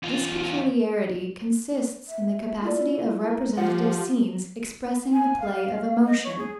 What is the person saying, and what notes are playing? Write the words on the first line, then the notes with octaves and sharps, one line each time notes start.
This peculiarity consists in the capacity of representative scenes expressing the play of emotion.
E2 F4
E5
E4 F4 D5
A#4
F3 F4 G4 F#5
G#5
F5
D#5
C#5
G#4